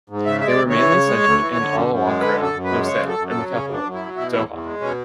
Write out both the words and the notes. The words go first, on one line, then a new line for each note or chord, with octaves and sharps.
They were mainly centered in Al Wakrah, Lusail and the capital Doha.
G#2
C#3 E5
G#3 E5
D5
D2
E3 C#5
C#3
G#3
D2
E3
D3
F#2
F#2
G#3
D3 B4
F#2
A4
F#2
G#3 B4
C#3 C#5
F#2
A4
F#2
A4
F#3
C#3 C#4
F#2
D4
F#2
F#3 E4
B2 E4
E2 E4
E2
G#3
B2 C#4